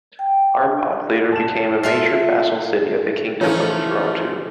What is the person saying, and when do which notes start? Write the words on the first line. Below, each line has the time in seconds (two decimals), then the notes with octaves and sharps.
Arpad later became a major vassal city of the Kingdom of Urartu.
0.19 G5
0.67 D4
1.32 A5 E7
1.83 F4 A4 E5 A5 C7
3.41 E3 F3 A3 C#4 D#4 C#5